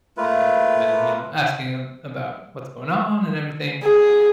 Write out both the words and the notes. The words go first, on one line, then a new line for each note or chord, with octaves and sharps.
and I've been, you know, asking him about what's going on, and everything,
A3 A#3 F4 B4
G#4